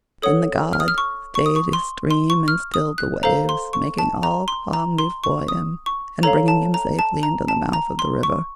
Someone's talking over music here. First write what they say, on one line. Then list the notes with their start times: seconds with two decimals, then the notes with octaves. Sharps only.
Then the god staid his stream and stilled the waves, making all calm before him, and bringing him safely into the mouth of the river.
0.22 A4 C#5 F#5 D#6
0.73 F6
0.80 D#6
0.88 F6
0.98 C#6
1.35 C#6
1.46 D#6
1.56 C#6
1.73 C6
2.11 C6
2.30 C#6
2.48 F6
2.74 D#6
2.98 F#6
3.23 A4 C5 F5 A#5
3.49 C6
3.73 C#6
3.98 A5
4.23 A#5
4.48 C6
4.73 A#5
4.98 C6
5.24 C#6
5.48 D#6
5.86 C#6
6.23 A4 C#5 F5 A#5
6.48 A5
6.74 A#5
6.99 A5
7.23 A#5
7.48 A5
7.73 A#5
7.99 C6
8.23 C#6